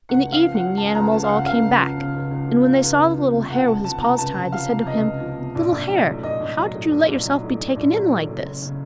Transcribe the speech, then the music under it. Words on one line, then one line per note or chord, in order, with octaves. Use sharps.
In the evening the animals all came back; and when they saw the little hare with his paws tied, they said to him: 'Little hare, how did you let yourself be taken in like this?
C#2 F#5
C#2
F5
F3
F#5
C#3
C#2 A5
C#2 A#5
F3 A5
F5
C#3 F#5
C#2 F5
C#2
F3
C#3
C#2
C#2
F3
C#3
C#2
C#2
F3
C3
C#2 F#5
C#2 A5
F3 A5
C3 A#5
C#2 A5
C#2
F3 F5
C3
C#2 D#5
C#2
F3
C3
A#1
A#1
F#3
A2
A#1 D#5
A#1
F#3
A2
A#1
A#1
F#3
A2
A#1
A#1
F#3
A2
F#1
F#1
C#3